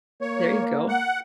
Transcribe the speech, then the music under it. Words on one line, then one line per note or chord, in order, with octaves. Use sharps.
There you go.
A#3 C#5
F#5